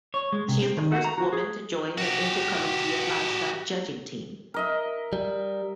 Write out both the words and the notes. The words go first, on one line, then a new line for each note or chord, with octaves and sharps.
She is the first woman to join the Intercollegiate Livestock Judging Team.
C#5
G#3
C3
C4
D#3
F#4
A#5
F#4
G#4
F#4 G4
A#4 D#5 E5
G3